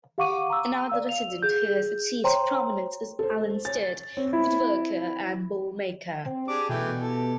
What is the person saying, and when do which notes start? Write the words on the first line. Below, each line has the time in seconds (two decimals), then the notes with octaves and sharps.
Another resident who has achieved prominence is Alan Stirt, woodworker and bowlmaker.
0.18 G4 F5 F#5 C#6 D6 D#7
0.50 A#5 E6
0.89 D5 F5 E6
1.09 F7
1.43 G#4 G6
2.24 C5 C#5 G5 A#5 C6
3.19 A4 C5
3.65 C#5 A6
4.17 C4 C#5
4.33 E4
6.26 C4
6.48 D4 G4 G#4 D6
6.69 B2 E3 A3 G5
7.00 G4 A4